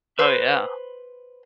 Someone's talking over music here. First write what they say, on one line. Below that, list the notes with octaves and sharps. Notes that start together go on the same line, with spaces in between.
Oh, yeah.
B4 C5